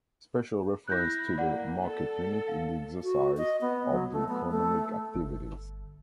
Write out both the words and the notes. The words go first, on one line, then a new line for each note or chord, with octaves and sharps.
Special reference to the market unit in the exercise of the economic activities.
E4 B5 F#6 G6 A#6
A#3 D5 F#5
A4
F5
F#4
D#5
B3
F#3
A3
B3
A3
G1